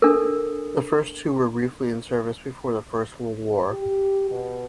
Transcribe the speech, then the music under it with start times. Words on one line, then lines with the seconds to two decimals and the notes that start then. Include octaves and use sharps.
The first two were briefly in service before the First World War.
0.02 D4 A4 A#4
3.72 G4
4.30 B2